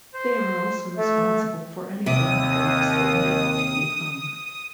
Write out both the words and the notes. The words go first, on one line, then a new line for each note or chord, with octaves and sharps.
They are also responsible for any backdrops that need to be hung.
C5
A3
D#2 C3 D#6